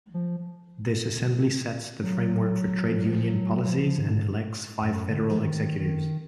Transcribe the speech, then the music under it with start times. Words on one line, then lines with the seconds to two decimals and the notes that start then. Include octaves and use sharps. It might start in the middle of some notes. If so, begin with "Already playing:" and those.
This assembly sets the framework for trade union policies and elects five Federal Executives.
0.14 F3
2.03 F#3
2.86 F3
2.96 F#3
3.07 F3
3.28 F#3
3.64 F#3
3.70 F3
3.98 G#2
4.82 F#2
5.10 D3
5.31 F3
5.37 D#3
5.79 D#3